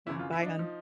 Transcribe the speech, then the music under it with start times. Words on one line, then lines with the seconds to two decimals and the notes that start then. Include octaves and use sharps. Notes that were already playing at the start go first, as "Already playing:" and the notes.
Um, bye, hon.
0.07 G#1 F#2 C#3 E3 E4
0.19 F4
0.33 E4
0.42 D4
0.46 D#4
0.59 F3